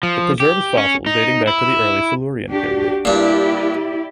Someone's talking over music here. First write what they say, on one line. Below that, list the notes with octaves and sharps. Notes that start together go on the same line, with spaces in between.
It preserves fossils dating back to the early Silurian period.
F3
G4
C#4
D#4
E4
D4 F#4 G4
G2 A#2 E4 G4 D5